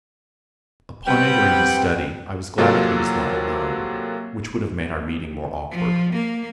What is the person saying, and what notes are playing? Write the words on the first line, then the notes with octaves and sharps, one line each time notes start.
Upon entering his study, I was glad that he was not alone, which would have made our meeting more awkward.
G3 C4 B4 F#5 G5
C3 F#3 A#3 F4 A4
F3
A#3